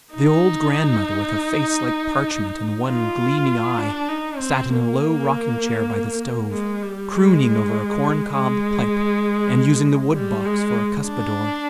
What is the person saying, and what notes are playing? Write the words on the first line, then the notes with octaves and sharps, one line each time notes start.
The old grandmother, with a face like parchment and one gleaming eye, sat in a low rocking-chair by the stove, crooning over a corn-cob pipe and using the wood-box for a cuspadore.
D#4
F4
D4
D#4
C4
A#3
G#3
G3
G#3
G#3
G3
G#3
D4